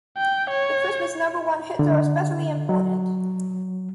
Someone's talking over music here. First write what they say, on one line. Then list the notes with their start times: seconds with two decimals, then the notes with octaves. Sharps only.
The Christmas number one hits are especially important.
0.18 G5
0.51 C#5
1.79 D3
2.69 F#3